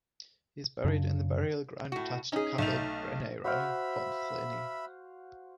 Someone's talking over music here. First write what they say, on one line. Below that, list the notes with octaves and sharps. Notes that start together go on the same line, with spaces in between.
He is buried in the burial ground attached to Capel Brynaerau, Pontllyfni.
F#2 C#3 D4
A2 F#4
C#4 D#4 G#4
B1 A3 D#4 F7
F#4 C5 E5 F5 B5